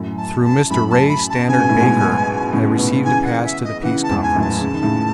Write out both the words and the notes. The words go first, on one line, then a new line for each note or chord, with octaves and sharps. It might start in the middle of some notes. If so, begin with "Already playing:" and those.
Through Mr. Ray Stannard Baker I received a pass to the Peace Conference.
Already playing: F#2 A2
A5
A5
F#2 A2 B5
A5
B5
A5
C#3 G#5
B2
A2
G#2 B2
A2 C#3
B2 D#3
C#3 E3 G#5
F#5
E5
D#5
C#3 E3 F#5
A5
E2 G#2
G#5
F#2 A2
A5
C#3
D#3
A2 C#3